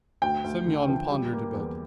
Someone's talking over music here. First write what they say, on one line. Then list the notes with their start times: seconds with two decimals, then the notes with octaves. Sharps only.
Semyon pondered a bit.
0.22 D2 G5
0.44 D2
0.66 D3
0.88 F3
1.10 G3
1.32 A#3
1.54 E2